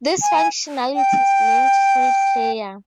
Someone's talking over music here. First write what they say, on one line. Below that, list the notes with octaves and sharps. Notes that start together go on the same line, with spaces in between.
This functionality is named Freeplayer.
G#5
G5